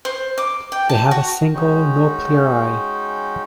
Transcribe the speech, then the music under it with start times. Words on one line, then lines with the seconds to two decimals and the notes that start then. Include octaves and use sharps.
They have a single naupliar eye.
0.05 C5
0.38 D6
0.72 G5
0.89 A5
1.11 F#4
1.54 G#3 C#4 D#4 F#4 G5